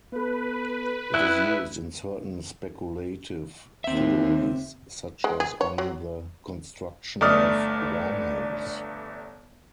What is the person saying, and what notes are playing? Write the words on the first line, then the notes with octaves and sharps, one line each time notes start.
It is used in certain speculative theories, such as on the construction of wormholes.
B3 A4 B4
E4 G5 F#6
D#2 C4 E5
G#3
G#4
C#5
F#3
G1 A3 D5 D#6 F6